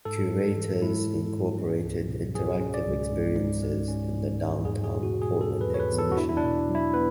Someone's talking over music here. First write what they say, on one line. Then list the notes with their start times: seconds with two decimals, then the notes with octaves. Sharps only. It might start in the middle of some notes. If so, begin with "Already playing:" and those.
Curators incorporated interactive experiences in the downtown Portland exhibition.
0.05 G#2 A4
0.31 G#2
0.57 E3
0.82 G#3 E4
1.07 G#2
1.34 G#2
1.58 C#4
1.84 C#2
2.09 B2
2.35 F#3 G#4
2.60 C#4
2.74 D5
2.86 C#2
3.12 G#2
3.37 G#2
3.63 G#3
3.88 C#4
4.13 G#2
4.39 G#2
4.65 E2 G#4
4.84 G#4
4.90 E2
5.03 F#4
5.16 B2
5.22 G#4
5.41 F#3 A4
5.61 B4
5.67 E2
5.74 C#5
5.79 B4
5.92 E2
5.99 A4
6.12 F#4
6.18 D4 E4
6.29 E4
6.37 D4
6.43 B2
6.69 F#3
6.75 E4
6.94 B3 B4